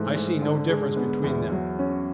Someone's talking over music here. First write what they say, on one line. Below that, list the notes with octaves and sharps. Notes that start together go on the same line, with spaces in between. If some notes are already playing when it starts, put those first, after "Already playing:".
I see no difference between them.
Already playing: G#2 E3 A3
G#2
D3
G#3
B3
E2
F#3
C#4